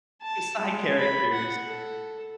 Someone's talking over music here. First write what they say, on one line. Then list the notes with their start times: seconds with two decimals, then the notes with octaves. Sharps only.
the side characters.
0.22 A5
0.58 G#3
0.98 B5
1.32 F#5
1.64 A4